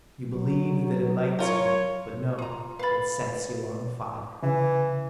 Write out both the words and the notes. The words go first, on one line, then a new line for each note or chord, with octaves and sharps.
You believe that it lights you; but no, it sets you on fire.
F#3
F4 A#4 C#5
F4 A#5
B4 F5 B5 A6
C#3 E3